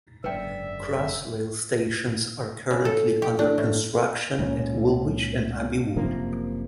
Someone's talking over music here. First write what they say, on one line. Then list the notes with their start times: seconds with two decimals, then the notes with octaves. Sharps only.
Crossrail stations are currently under construction at Woolwich and Abbey Wood.
0.24 F#1 G#2 D3 B4 D5 E5 G5
2.71 C#3
2.85 A4
3.22 G4
3.39 D4
3.58 A2
4.39 C#2 A#2 A3 C#4
5.96 F#1 C3 F3 A#3